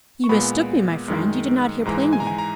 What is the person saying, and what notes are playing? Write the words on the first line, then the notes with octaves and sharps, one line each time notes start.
"You mistook me, my friend; you did not hear plainly."
C#6
A#2 G#3 B3 B5
F#2 D#3 G#3
G#2 E3 G#3 A#5
G#5
A#5
G#5
A#5